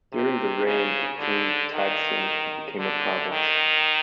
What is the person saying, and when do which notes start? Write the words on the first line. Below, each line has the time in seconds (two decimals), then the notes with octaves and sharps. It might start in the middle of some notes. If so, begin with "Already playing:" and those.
During the reign of King Taksin it became a province.
0.13 C3
0.66 C#3
1.19 D3
1.73 D#3
2.79 D3
3.32 D#3